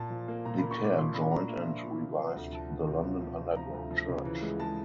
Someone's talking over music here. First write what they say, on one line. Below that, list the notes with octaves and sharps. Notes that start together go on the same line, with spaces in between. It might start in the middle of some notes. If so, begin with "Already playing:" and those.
The pair joined and revived the London Underground Church.
Already playing: A#2 A5
F3
A#3
A#2 A#5
A#3 B5
C#6
A#2
D6
A#2 C6
D4 B5
D4 A#5
A#3 E5
F3
F3
C3 F5
F3
F#5
D2
F3 A5
D2
C3
F3
F3
C3
F3 A#5
D2
F3
C#3
E3
G#3
G#3 A5